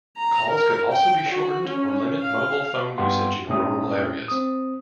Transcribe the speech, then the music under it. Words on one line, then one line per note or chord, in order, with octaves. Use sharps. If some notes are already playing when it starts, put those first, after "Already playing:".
Calls could also be shortened or limit mobile phone usage in rural areas.
A#5
A#4
G5
F#4
C#4
F5
G2 B3 G4 F5 F#5 C6
A#2 G#3 C#4 E4 G4 D#6
C4 D#6